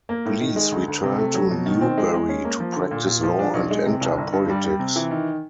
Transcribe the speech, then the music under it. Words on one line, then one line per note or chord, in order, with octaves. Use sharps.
Blease returned to Newberry to practice law and enter politics.
A#3
A2
D#3
G#3
D2
D2
C3
A3
F#3
B2
D#3
C4
G#3
G#3
C#4
A#3
F3
D3
A#2
A#2
F3
D4
B1
G#3
C3
C2
G1
G2
G3
G3
C3
E3
D#3